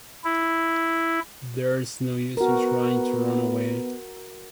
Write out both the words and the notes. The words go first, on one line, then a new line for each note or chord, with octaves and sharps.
There’s no use in trying to run away.
E4
B3 F#4 A#4